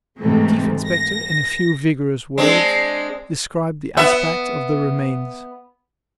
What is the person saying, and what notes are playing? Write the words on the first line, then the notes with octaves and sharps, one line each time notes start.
The Chief Inspector in a few vigorous words described the aspect of the remains.
G#2 C3 E3 A3
A#6
G#3 C4 D4
B3 E5